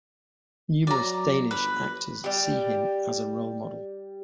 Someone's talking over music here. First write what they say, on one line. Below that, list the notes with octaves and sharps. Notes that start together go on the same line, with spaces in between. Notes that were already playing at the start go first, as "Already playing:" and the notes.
Numerous Danish actors see him as a role model.
F#3 D5 A#5
G1 B4
G3 G4